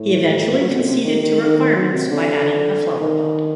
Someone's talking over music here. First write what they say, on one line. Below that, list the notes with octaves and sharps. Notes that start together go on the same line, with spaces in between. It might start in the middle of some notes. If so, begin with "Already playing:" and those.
He eventually conceded to requirements by adding a flowerpot.
Already playing: A2
A#2
F#3
D3
A#2
C3
D#3
D#3
D#3
D#3
F#3
C3
D3
D#3